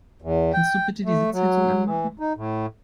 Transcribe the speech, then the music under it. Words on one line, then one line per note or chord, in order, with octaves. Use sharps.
Kannst du bitte die Sitzheizung anmachen?
E2
G5
A3
F#3
E3
D#4
A2